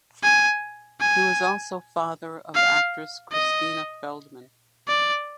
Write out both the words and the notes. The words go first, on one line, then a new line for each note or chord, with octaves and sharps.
He was also father of actress Krystyna Feldman.
G#5
G#5
F5
D#5
D5